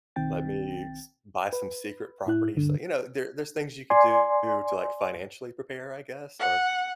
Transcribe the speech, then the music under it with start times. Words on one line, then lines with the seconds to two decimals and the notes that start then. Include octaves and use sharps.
let me s buy some secret properties, l you know, there there's things you could do to, like, financially prepare, I guess? Or,
0.16 B1 D#3 C4 G5 A6
1.53 B4
2.26 A2 E4 F#6
2.55 D2 G2 D3
3.90 D5 G#5 C6
6.39 F#5